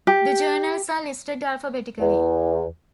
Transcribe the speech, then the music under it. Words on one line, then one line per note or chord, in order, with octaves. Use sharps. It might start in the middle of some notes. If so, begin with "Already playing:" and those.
The journals are listed alphabetically.
G4
E2